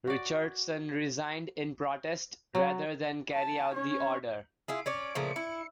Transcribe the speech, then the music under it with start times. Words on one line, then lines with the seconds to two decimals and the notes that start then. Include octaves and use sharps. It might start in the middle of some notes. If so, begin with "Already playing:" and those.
Richardson resigned in protest rather than carry out the order.
0.07 F#4 D5
2.55 F#3 F#5
3.34 A5
3.73 C#4 C#5
4.68 E4 F4 G#4
4.86 C#4 C#5 D5
5.15 A#2 C#3 F3 A3
5.36 E4